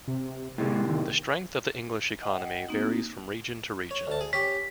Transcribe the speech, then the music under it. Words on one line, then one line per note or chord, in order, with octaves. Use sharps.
The strength of the English economy varies from region to region.
C3
A2 C3 G#3
D#3
D#5 F#5 G5
A#3 C4 D#4 F#4
C#5
D2 A5
G#4
C#4 G4 G5 B6